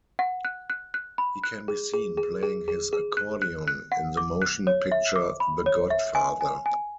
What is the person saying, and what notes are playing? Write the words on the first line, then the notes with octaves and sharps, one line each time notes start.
He can be seen playing his accordion in the motion picture The Godfather.
F#5
F#6
F#6
F#6
B5
F#6
G#4
G#4
G#4
G#4
G#4
G#4
F#6
F#6
F#6
F#5
D6
F#6
C#5
E5
D6
B5
C#5
E5
G#5
G#5
G#5